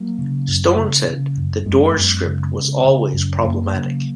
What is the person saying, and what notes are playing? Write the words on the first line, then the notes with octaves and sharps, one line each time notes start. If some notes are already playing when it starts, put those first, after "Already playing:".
Stone said, "The Doors" script was always problematic.
Already playing: F#3 A#3
C#3
F#2
C#3
C#3
F#2
F#2 G#3 B3
F#2
C#3
C#3
C#3
F#2
F#2 F#3 A#3
C#3